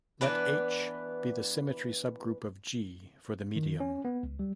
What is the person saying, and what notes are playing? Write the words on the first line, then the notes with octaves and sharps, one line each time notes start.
Let "H" be the symmetry subgroup of "G" for the medium.
E3 B3 D4 B4
D#3
C#4
B3
C#2
G3